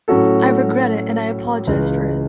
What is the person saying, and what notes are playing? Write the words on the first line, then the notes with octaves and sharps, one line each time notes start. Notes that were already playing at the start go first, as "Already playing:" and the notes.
I regret it and I apologize for it.
A2 F#3 C#4 F#4 A4
C#2 C#3 E3